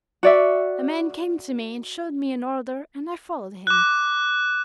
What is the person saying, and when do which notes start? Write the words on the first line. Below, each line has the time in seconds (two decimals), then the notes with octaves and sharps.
A man came to me and showed me an order and I followed him.
0.23 F#4 D5 E5
3.67 D6 F#6